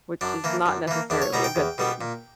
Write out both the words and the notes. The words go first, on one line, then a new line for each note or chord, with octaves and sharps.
which is not necessarily a good thing.
F#2 D4
E3 A#3
F#2
E3 A#3
E2 D4
C#5
B2 G3 B3 A#5
G5
E2
B2 G3 B3
A#2